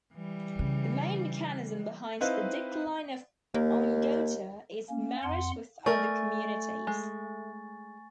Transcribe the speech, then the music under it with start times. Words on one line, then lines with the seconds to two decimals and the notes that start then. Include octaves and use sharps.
The main mechanism behind the decline of Ongota is marriage with other communities.
0.14 E3 G3
0.59 C#3
2.21 C4 D#4 E4 B4 D#5 F5
3.54 D#2 A#3
4.90 A#3 C#4
5.23 F2 F#5 C6
5.86 A3 A#4 D5 G#5 C#6 A6
6.87 G#3